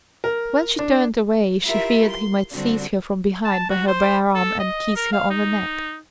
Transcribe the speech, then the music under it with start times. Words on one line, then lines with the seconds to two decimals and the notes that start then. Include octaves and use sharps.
When she turned away she feared he might seize her from behind by her bare arm and kiss her on the neck.
0.24 A#4
0.79 D4
1.63 E4 F4 G4 A#4 E5
2.10 C6
2.51 D3 G3 C4 D4 F#4
3.45 A5
3.70 F#4
3.87 C5
4.35 A4
4.60 D#5
4.96 A#4
5.12 F5
5.30 D#4